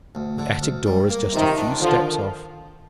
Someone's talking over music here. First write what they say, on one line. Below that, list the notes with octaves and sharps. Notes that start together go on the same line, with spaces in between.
The attic door is just a few steps off.
D2
D3
D2
G3
A#3
C3 D#3 F4
D4
D3 D#3 F3